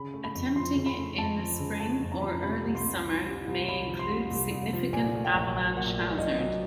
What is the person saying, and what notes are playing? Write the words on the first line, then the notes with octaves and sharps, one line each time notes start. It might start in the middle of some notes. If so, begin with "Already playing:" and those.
Attempting it in the spring or early summer may include significant avalanche hazard.
Already playing: C#3 B5
A3
B5
F2
F3 C6
C#3
B5
A3
F2 A5
F3
C#3
A3 A5
F2
A#5
F3 B5
A#5
C3 B5
C2
C6
C2
F3
C3
C2
C2 B5
F3
C6
C3
C2
C2
F3
A#2 G#5
A3
G5
A#1
F#3
A#2 F#5
A3
A#1 D#5
F#3 D#5